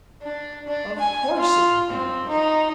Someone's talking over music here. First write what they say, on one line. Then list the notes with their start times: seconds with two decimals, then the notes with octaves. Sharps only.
"Of course it would be a hope."
0.23 D4
0.67 D4
0.99 G#5
1.37 F4
1.90 C4
2.28 D#4